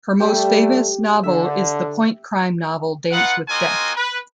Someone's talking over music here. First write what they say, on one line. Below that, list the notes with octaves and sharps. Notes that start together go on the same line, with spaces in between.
Her most famous novel is the Point Crime novel "Dance with Death".
G3 A3 G4
D3 E5
D#4 F4 B4 F#5
C4 F4 F#4 A#4 D#5 G#5
B4